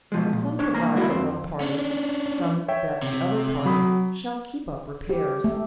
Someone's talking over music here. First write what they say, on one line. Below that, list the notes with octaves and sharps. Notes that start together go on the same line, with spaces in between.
Some provide that one party, some that the other party, shall keep up repairs.
B2 F3 G#3
A#2
D4 C#5
C2 A3 A#3 A#5
G#3 A#3 E4 F#4 A#4
F2 C4
C#4 D4
C#5 E5 G5
C3
F#3 B5 D#6
G4
A3